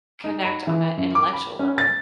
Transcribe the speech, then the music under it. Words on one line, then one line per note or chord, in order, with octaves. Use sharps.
connect on a intellectual level.
D#4
B5
E3
F#2
D6
B5
C#4
A6